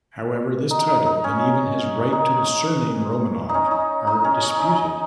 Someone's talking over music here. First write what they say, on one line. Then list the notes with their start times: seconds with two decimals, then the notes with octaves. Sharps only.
However this title, and even his right to the surname Romanov are disputed.
0.71 D#4
0.89 D#4
1.06 D#4
1.24 C#4
2.12 D#4
3.49 C#4 D#4
3.71 D#4
4.07 D#4
4.24 C#4
4.42 C#4
4.60 D#4
4.78 D#4